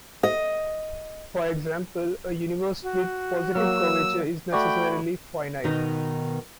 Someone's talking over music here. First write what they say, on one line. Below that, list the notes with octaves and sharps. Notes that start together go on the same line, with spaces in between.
For example, a universe with positive curvature is necessarily finite.
D#5
F#4
F#3 A#3 E6
A3 F#4 D5 G5 B5
B2 D#3 B3 D#4